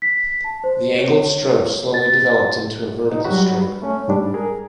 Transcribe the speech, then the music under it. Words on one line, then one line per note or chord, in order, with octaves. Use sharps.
The angled stroke slowly developed into a vertical stroke.
B6
A5
C5
C#5
A6
D#4
F#3 G3 F#4 B5
A3 C#4
G#2 G3 D4
G#4 A#4